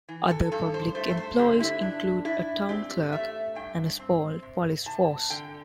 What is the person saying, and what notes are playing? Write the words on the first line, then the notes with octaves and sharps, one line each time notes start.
Other public employees include a town clerk and a small police force.
E3
A4
G2 A4
C5
A3 C5
A4
C5
D3 G4
E4
D4
D4 E4
C4 G4
A3 E5
G2 G5
C4
C3
C3 A5
D3 G5